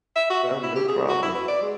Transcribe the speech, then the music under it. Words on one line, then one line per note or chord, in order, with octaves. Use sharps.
Oh, no problem.
E5
F#4
B2
E4
G4
G#4
F#4
E4
B4
D5
G#3